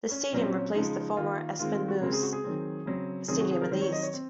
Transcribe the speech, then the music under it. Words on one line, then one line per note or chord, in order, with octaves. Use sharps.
The stadium replaced the former Espenmoos stadium in the east.
C#4
A#2 F#3 C4 C#4
C#3 F3 G#3 D#4
D#3 A#3 F4
D#3 G#3 C4 F4
F4
F#4
C#3 G#3 C4 A#4
G#4
F#4
G#4
D#3 F#3 C4
C#3 F#3 C4
C3 D#3 F#3 C4 G#4
F#4
G#4
A#4
D#3 F#3 C4 C5
C#5
D#5
C#5
C4